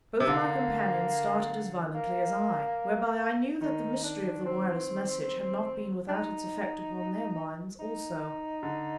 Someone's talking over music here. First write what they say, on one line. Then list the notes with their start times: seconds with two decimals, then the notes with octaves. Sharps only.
Both my companions started as violently as I, whereby I knew that the mystery of the wireless message had not been without its effect upon their minds also.
0.20 C3
0.28 D3 A#3
1.94 A#3
3.61 D#3 D#4
4.03 D4
4.45 C4
6.08 D4
6.12 D#4
7.79 D#4
8.63 D3